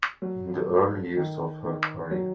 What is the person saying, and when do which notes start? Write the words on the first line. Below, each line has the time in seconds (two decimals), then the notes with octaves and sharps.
In the early years of her career.
0.22 F#3
0.69 A3
1.17 D#3
1.63 D#3
2.11 F#3